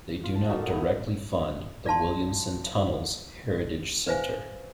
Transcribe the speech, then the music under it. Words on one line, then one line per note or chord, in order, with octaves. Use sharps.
They do not directly fund the Williamson Tunnels Heritage Centre.
F4
A5
A#3 D#4 F#4 A4
E4 G5 A#5
D5 F5 A5 C6
B4 C5 E5 F5 G#5